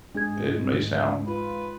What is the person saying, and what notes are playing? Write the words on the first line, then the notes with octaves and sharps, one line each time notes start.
that may sound,
G#2 G#3 D4 G#4 G#6
F4 B4